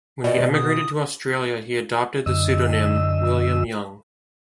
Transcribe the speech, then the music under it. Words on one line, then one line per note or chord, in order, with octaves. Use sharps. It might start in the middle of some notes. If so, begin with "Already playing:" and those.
When he emigrated to Australia he adopted the pseudonym William Young.
B2 D5 D#5
D#6
F#2 D3 D#5 E6